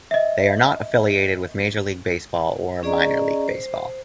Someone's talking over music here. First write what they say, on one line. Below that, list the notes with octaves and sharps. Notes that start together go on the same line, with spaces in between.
They are not affiliated with Major League Baseball or Minor League Baseball.
D#5 E5
C#4 G#4 D5 D#5 A#5
C5